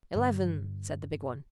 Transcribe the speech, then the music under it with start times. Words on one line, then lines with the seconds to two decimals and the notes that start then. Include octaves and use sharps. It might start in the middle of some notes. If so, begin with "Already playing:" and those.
"Eleven!" said the big one.
0.15 G2 D3